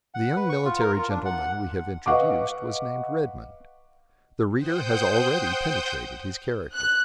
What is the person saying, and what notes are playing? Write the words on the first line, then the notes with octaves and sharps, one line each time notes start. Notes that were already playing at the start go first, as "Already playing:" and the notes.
The young military gentleman we have introduced was named Redmond. The reader has already penetrated his character.
F#5
B4
C#6
F4
A#4
F4
D4
F#5
B4 D#5 F5 F#5 C#6 D6
C5 F#5 G5 D#6 G6
F#6